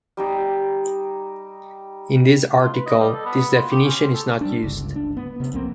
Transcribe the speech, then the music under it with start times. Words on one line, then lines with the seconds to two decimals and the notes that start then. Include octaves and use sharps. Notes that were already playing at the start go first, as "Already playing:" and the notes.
In this article this definition is not used.
0.17 G3 D#4 G4
2.60 F4
2.74 B4
2.86 D#5
2.99 G3
3.13 A4
3.25 B3
3.56 F4
3.71 G4
3.84 C#4
4.03 C5
4.14 A4
4.41 G3 D4
4.63 G1 C#2
4.96 D4
5.17 B3
5.40 C3 B3
5.53 C2 F2 A#3 C4